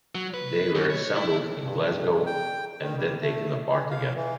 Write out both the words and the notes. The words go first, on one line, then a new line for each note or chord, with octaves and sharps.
They were assembled in Glasgow and then taken apart again.
F#3
B4
F#2
C#5
E4
G2
G5
D#3
G3
A3
E3
F5
E3